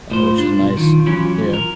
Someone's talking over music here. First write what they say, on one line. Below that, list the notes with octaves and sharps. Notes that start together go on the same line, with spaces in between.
uh, which is nice. Yeah,
A2 F4 C5
D4
B1
D#3 F4
E3 F#3 C#4
A#4